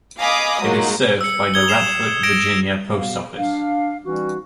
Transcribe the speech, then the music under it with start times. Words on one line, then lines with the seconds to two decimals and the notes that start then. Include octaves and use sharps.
It is served by the Radford, Virginia post office.
0.20 D#5 F5 G#5 B5 D6 D#6
0.63 F#3 G#3 A#3 D#4 F4
1.21 E6 C#7
1.54 D#6 G#6 G7
1.68 C7 E7 F7
2.23 G#6 A#6 D7 E7
2.92 B2 B3 F5
3.36 D4 F5
4.03 E3 G3 C#4 D#4 F#4